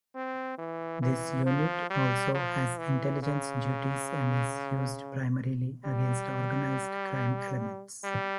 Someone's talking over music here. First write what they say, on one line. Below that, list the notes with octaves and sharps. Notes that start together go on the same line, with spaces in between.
This unit also has intelligence duties and is used primarily against organized crime elements.
C4
E3
E3
F3
G3
F3
E3
C#3
G3
G3